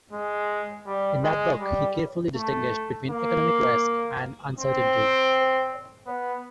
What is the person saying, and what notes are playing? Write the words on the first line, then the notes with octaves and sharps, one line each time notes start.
In that book, he carefully distinguished between economic risk and uncertainty.
G#3
G3
G#3
G3
A3
A#3
C4
B3